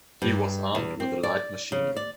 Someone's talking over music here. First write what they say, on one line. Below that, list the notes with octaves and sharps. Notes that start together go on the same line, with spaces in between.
He was armed with a light machine-gun.
G2
E2
C4
D5
C#3
D5